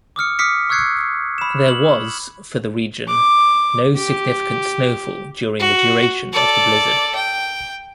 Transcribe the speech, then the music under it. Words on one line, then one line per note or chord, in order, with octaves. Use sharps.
There was, for the region, no significant snowfall during the duration of the blizzard.
D6 D#6 F6 C#7
D6 D#6 F6 B6 C#7
C#6 E6 F#6 G#6 C7 C#7
B5 E7
F#7
D6
G4
F#4
A4 D5
G5